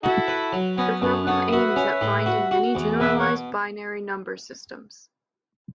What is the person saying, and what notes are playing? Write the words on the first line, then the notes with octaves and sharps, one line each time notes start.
The program aims at finding many generalized binary number systems.
E4 F#4 A4
B4
F#3
B3 C#4 F#4
F#2 A4 C#5
B3 A4 C#5
F#4 B4 E5
C#4
A2
F#4
F#4
E2
B2 B4 E5
C#5 F#5